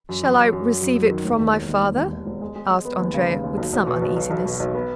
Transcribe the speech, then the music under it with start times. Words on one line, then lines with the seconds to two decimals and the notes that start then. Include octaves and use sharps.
"Shall I receive it from my father?" asked Andrea, with some uneasiness.
0.09 F#2
0.23 F#2
0.38 F#2
0.52 F#2
0.67 F#3
0.82 F#2
0.95 F#3
1.10 D#3
1.25 E1
1.40 D#2
1.53 E1
1.69 D#2
1.83 E1
1.98 D#2
2.13 D#2
2.26 E1
2.41 G#3
2.56 G#3
2.71 G#3
2.85 B3
3.00 D#2
3.14 C#3
3.29 D#2
3.44 D#2
3.57 B1
3.73 B1
3.87 B2
4.01 B1
4.16 B1
4.30 B1
4.45 B2
4.59 B1
4.74 B3